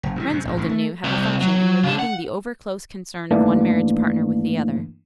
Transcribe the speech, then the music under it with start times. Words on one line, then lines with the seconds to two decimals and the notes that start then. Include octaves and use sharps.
Friends, old and new, have a function in relieving the overclose concern of one marriage partner with the other.
0.03 F#1
0.16 G2 D3 E3
0.30 F#2 C3
0.45 A#1 G#2
0.57 A1 G2 C3 D#3
0.69 A3
1.04 C2 C3
1.41 F#3
1.84 C#3 D4
1.99 F#5
3.31 G2 D#3 E3 A3 A#3 D4